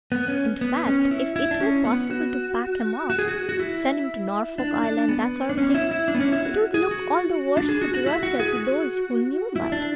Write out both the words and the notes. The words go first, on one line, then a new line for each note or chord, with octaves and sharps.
In fact, if it were possible to pack him off--send him to Norfolk Island--that sort of thing--it would look all the worse for Dorothea to those who knew about it.
B3
C#4
B3
C#4
E4
E4
D4
C#4
B3
F#4
F#4
G#4
F#4
F#4
E4
D4
D4
B3
D4
C#4
E4
E4
D4
B3
C#4
E4
F#4
G#4
F#4
D4
G#4
F#4
F#4
E4
F#4
G#4
F#4
E4
D4